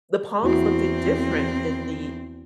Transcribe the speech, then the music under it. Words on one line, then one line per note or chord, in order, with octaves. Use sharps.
the palms looked it different than the
E2 A#3 C4 E4 F#4